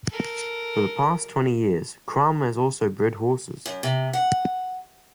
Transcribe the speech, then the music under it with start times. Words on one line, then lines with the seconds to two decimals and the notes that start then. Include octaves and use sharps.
For the past twenty years, Crum has also bred horses.
0.10 A4 A#4
3.66 F#2
3.83 C3
4.13 F#5